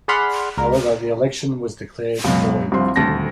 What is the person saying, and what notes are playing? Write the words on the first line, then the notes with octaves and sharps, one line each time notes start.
However, the election was declared void.
G#4 D5 F#5 B5 C6 F6
C#2 A#4
C#2 F#2 B2
C2 G2 F3 C4 C6
D#1 D2 A5 A#6